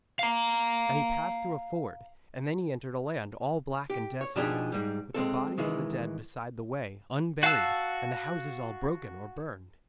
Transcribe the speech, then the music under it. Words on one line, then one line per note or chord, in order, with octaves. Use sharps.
And he passed through a ford, and then he entered a land all black and desolate, with the bodies of the dead beside the way, unburied, and the houses all broken or burned.
F5 A#5
G4
C#5
B2 F3 D4 D#4 G4 G#4
G#2 G3
G#3 C4 A4
D#3 E3 G#3
F#4 F5 F#5 A5 E6